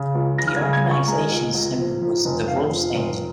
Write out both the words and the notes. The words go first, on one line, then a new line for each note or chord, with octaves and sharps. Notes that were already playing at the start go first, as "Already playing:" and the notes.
The organisation's symbol was the "Wolfsangel".
Already playing: C#3
C#2
C#3 A#6
F6
C#3 G#6
G#6
C#2
C#6
G#3 A#5
C#2
C#2
F3
F3
F1
F1 F5
F3
F1